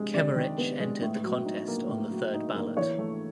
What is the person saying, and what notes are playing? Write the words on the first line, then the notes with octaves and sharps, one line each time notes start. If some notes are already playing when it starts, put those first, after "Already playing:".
Kemmerich entered the contest on the third ballot.
Already playing: C3 G#3
C3 D5
D#3
B3
G#3
A2
F#3
D#4
A#3
A2
F#3
D#4
A#3
E3 C#5
A3